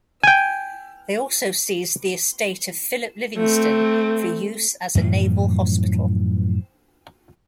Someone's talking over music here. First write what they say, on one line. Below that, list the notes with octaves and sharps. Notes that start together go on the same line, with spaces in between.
They also seized the estate of Philip Livingston for use as a naval hospital.
G5 G#5
A3 C4
F#2 A2 E3 F3